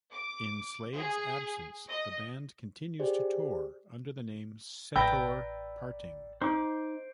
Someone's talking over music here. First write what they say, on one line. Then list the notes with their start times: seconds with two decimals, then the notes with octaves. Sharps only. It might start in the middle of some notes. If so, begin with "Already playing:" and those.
In Slade's absence, the band continues to tour under the name Centaur Parting.
0.12 D6
0.95 G#4
1.88 D#5
3.00 G4 G#4 C5 D5
4.96 A1 B4 D5 G5 A#5 E6
6.42 D#4 C5 D6